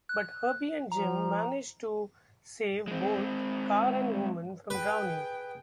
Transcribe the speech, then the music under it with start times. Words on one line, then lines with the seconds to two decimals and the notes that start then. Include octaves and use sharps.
But Herbie and Jim manage to save both car and woman from drowning.
0.09 F#6
0.92 F3 A#5
2.88 G#3 C4
4.70 G#4 B4 G5